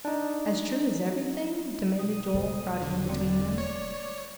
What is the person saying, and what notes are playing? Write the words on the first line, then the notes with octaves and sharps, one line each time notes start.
"As true as everything?" demanded Joel, crowding in between them.
D4 D#4
B2 G3 D#6
E1 A4 C5 D5
D3
G3 A#3 C4 D5
C#5